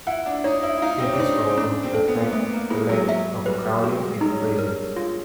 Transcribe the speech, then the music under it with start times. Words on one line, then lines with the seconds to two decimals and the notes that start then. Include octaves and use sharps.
In this role, he attacked alleged overcrowding in prisons.
0.07 E4 F#5
0.26 D4
0.44 D#4 C#5
0.63 E4
0.78 E4
0.82 D#4 F5
0.98 C4
1.06 C#4
1.13 D4
1.20 D#4 C5
1.57 C#4 D4
1.83 C4
1.95 A4
2.08 B3
2.33 A3 B3
2.52 A#3
2.70 G#3 E4
2.89 F#3
3.08 F#3 E5
3.46 G3 B4
3.78 G3
3.84 G#3 F#4
3.97 G#3
4.03 G3
4.13 G3
4.21 G#3 D#4
4.32 C#4
4.41 D4
4.59 A#4
4.96 F4